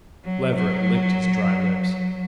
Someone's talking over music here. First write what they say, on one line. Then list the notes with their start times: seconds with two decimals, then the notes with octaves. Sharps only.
Leverett licked his dry lips.
0.24 F#3
0.55 F#3